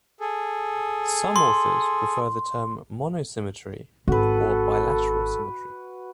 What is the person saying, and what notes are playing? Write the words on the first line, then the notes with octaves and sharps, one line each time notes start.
Some authors prefer the term monosymmetry or bilateral symmetry.
G#4 A4
C6
G#1 F#4 A4 B4